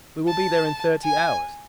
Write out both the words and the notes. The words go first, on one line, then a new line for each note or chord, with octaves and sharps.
We will be there in thirty hours.
A5
G#5